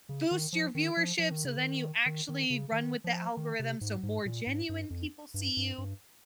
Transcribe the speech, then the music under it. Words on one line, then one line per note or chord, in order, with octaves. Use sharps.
boost your viewership, so then you actually run with the algorithm, so more genuine people see you,
C#3
D#3
F3
D#3
F3
F3
D#3
C#3
D#3
D#3
D#3
C#3
D#3
F3
D#3
C3
G#2
G#2
A#2
G#2
G2
F2
G2
G2
G2